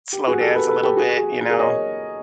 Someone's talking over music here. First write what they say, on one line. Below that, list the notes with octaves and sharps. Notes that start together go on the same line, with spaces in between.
slow dance a little bit, you know,
G4
F#4 G#4
G4 A4
A4 B4
A4 B4
G4 A4
F#4 G#4
F#4 G#4
G#4 A#4
C#5 D#5